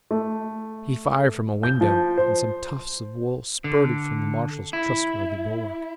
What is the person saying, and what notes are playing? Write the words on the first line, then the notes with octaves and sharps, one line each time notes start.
He fired from a window, and some tufts of wool spurted from the marshal's trustworthy bulwark.
A3
G6
F3
C5
D3
E4